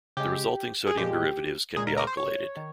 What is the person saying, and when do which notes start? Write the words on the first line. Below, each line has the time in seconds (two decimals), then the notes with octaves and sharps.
The resulting sodium derivatives can be alkylated.
0.17 C#3 G#3 G4
0.87 G#4
0.97 A#2 F3 G#3 G4
1.76 A#2 G#3 G#4
1.87 A#4
1.97 A#4
2.07 C5
2.17 C#5
2.57 D#3